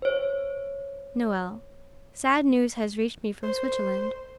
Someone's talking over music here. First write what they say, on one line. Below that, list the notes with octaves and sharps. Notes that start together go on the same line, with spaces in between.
NOEL--Sad news has reached me from Switzerland.
C5 C#5
C5